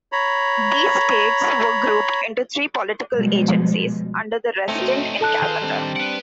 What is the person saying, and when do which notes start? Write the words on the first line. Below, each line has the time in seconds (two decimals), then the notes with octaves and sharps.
These states were grouped into three political agencies, under the "Resident" in Calcutta.
0.12 C#5 A#5 B5
3.15 B2 F3 G3 G#3
4.68 A3 C4 C#4 D#4
4.81 F#4
5.21 A4 A5 F#6
5.42 D#3 F4 G#4 C5 C6
5.62 G3 C4 D4
5.96 B4 F#5 D7